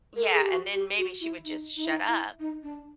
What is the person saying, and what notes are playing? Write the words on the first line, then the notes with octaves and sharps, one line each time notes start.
Yeah, and then maybe she would just shut up
A#4
A4
G#4
G4
F#4
G4
F#4
E4
D#4
D#4
E4
D#4
E4
D#4
D4